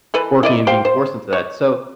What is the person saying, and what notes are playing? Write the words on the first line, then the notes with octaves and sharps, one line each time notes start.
working and being forced into that, so
E3 A4 B4
E4 D5 D#5
G4 C5 F5 G5
C5
C#5